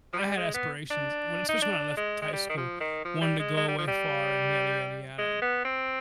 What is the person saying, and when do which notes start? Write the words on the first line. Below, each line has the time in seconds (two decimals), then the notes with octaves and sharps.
I had aspirations when especially when I left high school, wanted to go away far and yada yada yada;
0.13 F3
0.19 G3
0.37 G#3
0.54 B3
0.90 D4
1.49 D#4
1.62 D4
1.97 G#3
2.22 G#3
2.33 G3
2.49 D#3
2.57 F3
2.80 D#3
3.05 F3
3.21 G3
3.39 G#3
3.57 G#3
3.68 G3
3.78 F3
3.87 G3
5.18 G#3
5.42 B3
5.65 C4